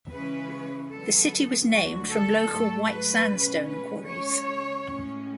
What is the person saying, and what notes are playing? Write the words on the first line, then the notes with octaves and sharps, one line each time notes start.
The city was named from local white sandstone quarries.
C#3 E3 G#3 C#4 B4
E2 D3 F#3 B3 A4
D2 D3 F#3 F#4
A4
G#2 F#3 A3
B4
B2 A3 C#4
B4
C#3 G#3 C#4 C#5
A2 G#3 C#4